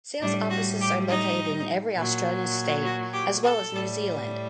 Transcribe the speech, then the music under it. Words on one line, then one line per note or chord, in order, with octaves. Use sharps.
Sales offices are located in every Australian state as well as New Zealand.
A2 G3 D4
F#4
G4
D#4
A#2 F#3
F#4
G4
A4
A2 G3